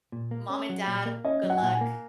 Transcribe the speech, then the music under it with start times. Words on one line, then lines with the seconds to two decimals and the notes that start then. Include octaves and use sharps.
"Mom and dad, good luck,"
0.12 A#2
0.31 A#3
0.50 C#4
0.69 F#3
0.87 A#2
1.06 A#3
1.25 C#4 D#5
1.43 F#3
1.50 F#5
1.57 G#5
1.63 A#2 F#5
1.74 G#5
1.81 A#3